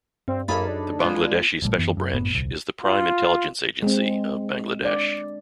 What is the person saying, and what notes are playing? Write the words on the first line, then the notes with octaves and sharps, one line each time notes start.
The Bangladeshi Special Branch is the prime intelligence agency of Bangladesh.
G2 C4
F#2 A#3 D#4 G#4 A4 B5 A6
D4
G#3 B3 F4
A1 A#2 G3 A3
F#2 E3 B3
F#2
G1 F#2 A2 B3
D#1 C2
F4
G#3 C4
D4 D5